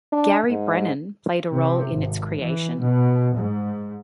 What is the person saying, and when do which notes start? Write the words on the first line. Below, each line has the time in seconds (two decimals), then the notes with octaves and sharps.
Gary Brennan played a role in its creation.
0.12 D4
0.50 G#2
1.53 C3
1.90 G#1
2.38 E3
2.79 B2
3.36 G#2